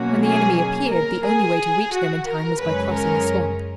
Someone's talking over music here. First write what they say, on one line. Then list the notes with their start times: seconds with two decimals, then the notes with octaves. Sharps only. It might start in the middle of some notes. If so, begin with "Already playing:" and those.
When the enemy appeared the only way to reach them in time was by crossing a swamp.
Already playing: B2 F#3 A#3 C#4 F#4
0.24 G#4
0.57 G#4
0.91 A#4
1.25 G#4
1.92 F#4
2.26 A#4
2.60 F#2 C#3 G#3 C#4 B4
2.93 A#4